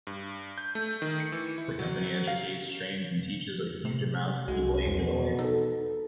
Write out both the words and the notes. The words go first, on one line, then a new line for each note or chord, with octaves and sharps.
The company educates, trains and teaches a huge amount of people annually.
G2
G6
A3
D#3
C#7
E3
E4
F#3
F5
C3
C2 G#3 F#4
E2 B2
D#4 A4